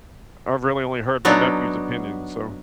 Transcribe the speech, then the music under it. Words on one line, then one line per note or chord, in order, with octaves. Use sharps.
I I've really only heard my nephew's opinion, so
F#3 B3 D4 D#4